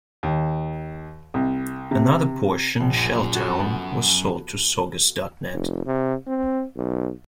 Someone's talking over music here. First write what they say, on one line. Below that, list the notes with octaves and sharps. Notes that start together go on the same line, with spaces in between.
Another portion, ShellTown, was sold to Saugus dot net.
D#2
C2
C3
A#1
F#2
F#4 A4
B3 A4
F1
C3
C4
B1